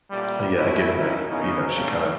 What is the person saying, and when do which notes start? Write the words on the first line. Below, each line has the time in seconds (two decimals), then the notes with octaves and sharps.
Yeah, given that, you know, she kind of
0.10 A1 A#2 G3
0.58 C2 A#2 A3 E4
0.99 G2 C#4 D#4 E4
1.29 C#3 B3 C#4 D#4
1.75 C#3 G3 A3 A#3 C#4